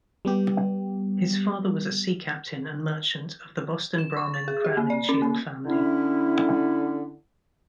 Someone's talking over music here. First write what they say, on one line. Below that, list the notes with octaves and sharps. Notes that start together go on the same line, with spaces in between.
His father was a sea captain and merchant of the Boston Brahmin Crowninshield family.
G3 B3 G4
E7
C#6
A6
G#4
G4
A#3
D5
C#4
A#3
D3 C#4 E4